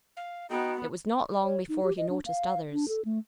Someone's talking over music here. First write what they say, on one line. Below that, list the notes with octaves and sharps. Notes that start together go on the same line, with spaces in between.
It was not long before he noticed others.
F5
B3 D#4 F#4 G5
C#5
D#4
G4
D#5
D4
F5
D4
A4
A3